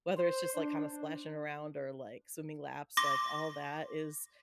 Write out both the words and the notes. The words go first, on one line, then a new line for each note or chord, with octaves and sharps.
whether it's just, like, kinda splashing around or, like, swimming laps, like, all that is
C5
D4
C6 D6 A#6